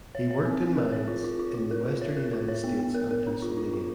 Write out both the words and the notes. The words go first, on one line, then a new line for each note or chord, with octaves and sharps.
He worked in mines in the western United States and Pennsylvania.
C#5
C#5
C4
C4
A#4
C#5
F4
F4
F4
F4
A#4
F4
C#5
A#4
F4
C#5
B3
B3
A#4
A#4
D4
F4
F4
F4